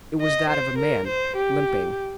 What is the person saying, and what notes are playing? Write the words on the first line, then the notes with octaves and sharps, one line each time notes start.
It was that of a man, limping.
D#5
C5
A#4
C5
G4